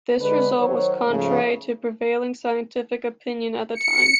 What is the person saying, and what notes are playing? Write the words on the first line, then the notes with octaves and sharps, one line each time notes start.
This result was contrary to prevailing scientific opinion at the time.
D3 G#3 B4
D#3 F#3 C5 C#5
G#2 C#3 F3 A3
C#7